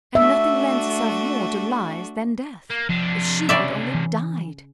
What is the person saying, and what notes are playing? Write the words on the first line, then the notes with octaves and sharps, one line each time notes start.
And nothing lends itself more to lies than death. If she had only died!
A3 D4 F#4 E5
A#3
C3 F3 D4
C#3 D5 E5
E3